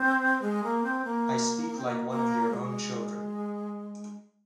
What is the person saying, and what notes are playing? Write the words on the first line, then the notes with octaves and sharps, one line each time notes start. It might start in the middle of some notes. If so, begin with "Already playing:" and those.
I speak like one of your own children.
Already playing: C4
G#3
A#3
C4
A#3
A#3
C4
A#3
A#3
G#3